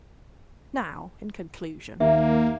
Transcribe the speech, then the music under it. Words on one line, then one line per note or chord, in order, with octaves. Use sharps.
Now in conclusion.
D#2 A#3 E5